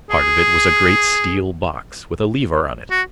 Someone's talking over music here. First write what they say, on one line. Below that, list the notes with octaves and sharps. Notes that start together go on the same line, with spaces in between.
Part of it was a great steel box, with a lever on it.
G#4
F#4